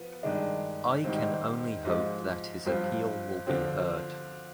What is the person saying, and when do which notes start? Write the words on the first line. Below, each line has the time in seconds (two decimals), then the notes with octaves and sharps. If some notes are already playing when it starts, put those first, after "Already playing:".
I can only hope that his appeal will be heard.
Already playing: F3 B3
0.23 G2 D#3 G#3 D4
1.04 G#2 D#3 G3 C4
1.85 G#2 F3 G#3
2.66 G2 F3 C4 F4
3.47 D3 F3 C4